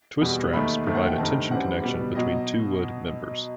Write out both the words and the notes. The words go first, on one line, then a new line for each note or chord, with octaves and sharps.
Twist straps provide a tension connection between two wood members.
E2 B2 G3
D#2 D#3 A3 B5
D#2 D#3 A3 C4
F#5
G5
G2 D#3 A3 C4 A5
F#2 E3 G3 C4 F#5
B2 G3 B3
B2 F#3 D#5